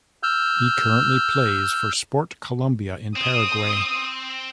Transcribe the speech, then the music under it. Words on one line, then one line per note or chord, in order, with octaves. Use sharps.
He currently plays for Sport Colombia in Paraguay.
E6 F6 G6
C4 D#6